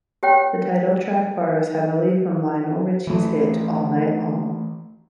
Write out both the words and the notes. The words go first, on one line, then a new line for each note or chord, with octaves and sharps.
The title track borrows heavily from Lionel Ritchie's hit All Night Long.
G4 C#5 G5
E3 A3